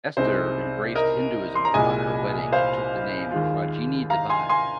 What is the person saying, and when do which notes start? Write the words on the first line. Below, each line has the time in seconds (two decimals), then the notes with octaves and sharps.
Esther embraced Hinduism upon her wedding and took the name "Ragini Devi".
0.17 C2 C3 G#3 C4 D#4 C5
0.95 A#4 D#5
1.55 C6
1.65 A#5
1.74 C2 A#2 G#3 D#5 G#5
2.52 C5 F5
3.31 D#2 D#3 G#3 F4
4.10 F5 A#5
4.30 G#5 C6
4.49 G#5 C6